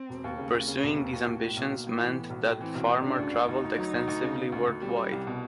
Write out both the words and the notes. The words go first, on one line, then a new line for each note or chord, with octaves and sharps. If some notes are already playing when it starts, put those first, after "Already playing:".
Pursuing these ambitions meant that Farmer traveled extensively worldwide.
Already playing: C4
E1
D#2
C#3 A#3
D#2
C#3
E1
D#2
D#2
B1 A3
A2
B1
B1 A#3
A2
E3
A2 B3
B1
A2
E3 C4
B1
A2
C#3 D4
D2
D2
D2 D#4
D2
F#3
D2
D2
C#3
C#3
D2
D2
G3 C#4
G3
C2
B2